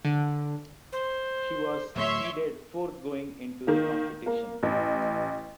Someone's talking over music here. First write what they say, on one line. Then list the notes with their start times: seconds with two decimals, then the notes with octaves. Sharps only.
She was seeded fourth going into the competition.
0.05 D3
0.92 C5
1.95 D1 A2 F#3 C#5 E5 C6
3.67 D#3 A#3
4.26 A#3
4.63 A1